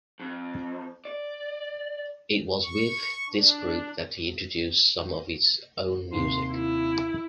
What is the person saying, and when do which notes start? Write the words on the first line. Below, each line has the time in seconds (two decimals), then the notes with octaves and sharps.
It was with this group that he introduced some of his own music.
0.20 F2
1.05 D5
2.63 C#6
3.30 D4
6.12 D#2 C3 C6
6.52 E4